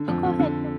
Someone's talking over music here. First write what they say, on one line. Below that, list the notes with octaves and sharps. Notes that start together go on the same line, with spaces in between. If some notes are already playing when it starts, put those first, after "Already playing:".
Oh, go ahead, no.
Already playing: D3
F2
F2
D3